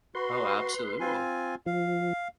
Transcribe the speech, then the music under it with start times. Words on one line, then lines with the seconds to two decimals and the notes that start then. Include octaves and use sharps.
Oh, absolutely.
0.15 F#4 B4 C6
1.00 C4 F4 G#5
1.66 F3 F5